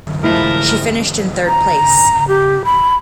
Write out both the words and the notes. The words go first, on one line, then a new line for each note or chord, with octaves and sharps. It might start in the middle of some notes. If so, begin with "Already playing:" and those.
She finished in third place.
F3 G#3 A3 E4 A#4
A#5
G4
B5